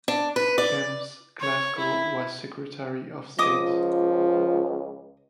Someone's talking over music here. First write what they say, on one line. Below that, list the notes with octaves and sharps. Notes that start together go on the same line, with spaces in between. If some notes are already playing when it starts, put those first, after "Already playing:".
James Glasgow was Secretary of State.
D4
B4
D5
C#5
E4
C#2 F3 D#5 D6 D#6